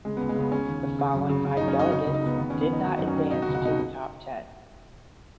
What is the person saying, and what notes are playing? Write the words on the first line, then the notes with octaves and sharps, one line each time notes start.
The following five delegates did not advance to the top ten.
C#3 G#3
C#2 B3
G#3
C#3 B3
C#3 C#4
D#2
C#3
C#3
F#2
C#3
C#3
F#2 D#4
C#4
C#3 D#4
F#4
C#3 D#4
C#2
D#4
C#3 B3
D#3 B3
D#2 C#4
B3
D#3 D#4
D#3 F#4
F#2 D#4
C#4
D#3
B2 D#4
F#4
C#2
F#4
B2 D#4